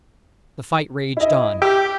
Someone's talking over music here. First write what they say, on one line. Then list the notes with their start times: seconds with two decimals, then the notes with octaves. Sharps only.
The fight raged on.
1.17 E4 D#5
1.62 G4 E6